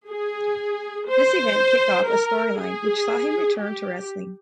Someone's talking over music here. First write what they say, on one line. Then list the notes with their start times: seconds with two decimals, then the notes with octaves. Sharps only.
This event kicked off a storyline which saw him return to wrestling.
0.09 G#4
1.10 C5
2.10 A#4
2.60 G#4
3.61 G4